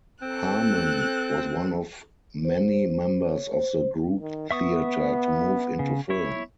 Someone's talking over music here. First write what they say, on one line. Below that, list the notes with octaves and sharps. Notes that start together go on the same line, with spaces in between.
Harmon was one of many members of the Group Theatre to move into film.
C4 A4 F#6
C5
C5
C#5
C5
D#3
B3 E5 C#6 D#6
C#3
E4 C#5